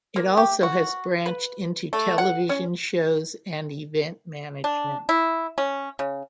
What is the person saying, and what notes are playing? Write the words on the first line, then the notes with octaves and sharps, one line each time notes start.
It also has branched into television shows and event management.
A#3
G4
F#4
B4
A3
F#5
C#4
D4
E4
C#4
C#3